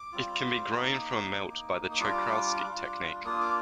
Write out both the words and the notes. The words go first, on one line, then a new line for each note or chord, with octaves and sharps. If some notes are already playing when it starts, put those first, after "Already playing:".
It can be grown from a melt by the Czochralski technique.
Already playing: D6
G3 C4 F4
A#3 D#4
A#3 D#4
D#6
G3 D4 F4 D6
G3 D4 F4
A#3 D4 F4 D#6
D6